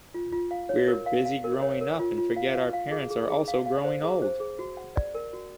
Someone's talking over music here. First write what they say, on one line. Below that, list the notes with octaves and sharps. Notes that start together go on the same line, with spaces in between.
We're busy growing up and forget our parents are also growing old.
F4
F4
F5
C#5
A#4
F5
F5
A#4
C#5
A#4
F4
F4
F5
F5
F5
G#4
G#4
G#4
F5
F5
C5
G#4
C5
G#4
F#4
F#5
D5
A#4
F#4